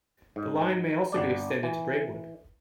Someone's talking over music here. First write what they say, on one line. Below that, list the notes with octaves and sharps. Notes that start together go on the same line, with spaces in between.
The line may also be extended to Braidwood.
G#2
G1 D4 D5
E3